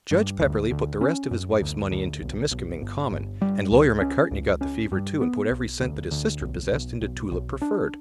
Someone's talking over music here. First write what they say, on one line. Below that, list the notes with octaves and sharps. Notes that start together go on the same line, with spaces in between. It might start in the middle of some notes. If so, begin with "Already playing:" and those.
Judge Pepperleigh put the rest of his wife's money into Temiskaming Common, and Lawyer Macartney got the fever, too, and put every cent that his sister possessed into Tulip Preferred.
G2
D2
D2
C#4
F#2
D2
D2
B1
B1
G1
G1
G3
C#2
C#4
C#2
C#4
G2
B3
B1
D2
D2
B1
B1
B1
B1
D4